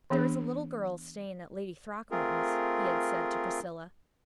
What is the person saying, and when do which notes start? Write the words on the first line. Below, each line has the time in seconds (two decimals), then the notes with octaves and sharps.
"There is a little girl staying at Lady Throckmorton's," he had said to Priscilla.
0.10 E3 B3 D4 G#4
2.10 A3 C4 F4 G#4 A#4